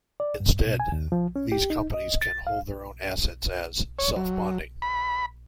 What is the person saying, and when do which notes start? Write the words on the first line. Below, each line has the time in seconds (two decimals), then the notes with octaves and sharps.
Instead, these companies can hold their own assets as "self-bonding".
0.20 D5
0.40 G2
0.65 B2
0.80 G#5
0.92 D#2
1.12 F3
1.36 C#4
1.52 G4
1.70 D#4
1.94 D#5
2.21 A6
2.47 F5
3.99 C#5
4.16 F#3
4.82 B5